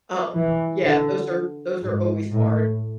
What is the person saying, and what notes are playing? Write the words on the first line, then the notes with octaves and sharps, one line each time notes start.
Um, yeah, those are those are always hard.
E3
D3
G#2
A2